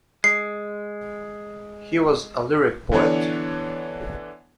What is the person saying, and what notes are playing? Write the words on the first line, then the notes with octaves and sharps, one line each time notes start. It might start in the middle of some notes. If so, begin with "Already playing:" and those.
He was a lyric poet.
G#3 C7
D3 E3 B3 D4 C#5